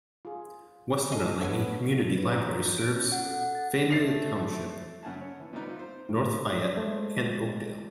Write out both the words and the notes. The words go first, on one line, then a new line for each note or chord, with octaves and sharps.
Western Allegheny Community Library serves Findlay Township, North Fayette, and Oakdale.
F4 G#4
E3 G#3 C#4 D4 G#4 A4
B3 C#5 E5 F#5 G#5
B4
A#5
C#5
G6
D7
C#4
F#5
A4
F#5
A6
A3 A6 C7 F7
F#2 C#3 F#5 G#5 A5
C#3 C#5
E3
C3 G3 B3 D#4 B4
C4 F4
C5
A2 D#4
G#3 A3 C5